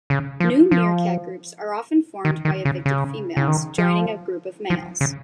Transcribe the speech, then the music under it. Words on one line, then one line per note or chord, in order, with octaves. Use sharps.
New meerkat groups are often formed by evicted females joining a group of males.
C#3
F3
F3
D#3
D#3
C#3
C#3
C#3
D#3
F3
F3
C#3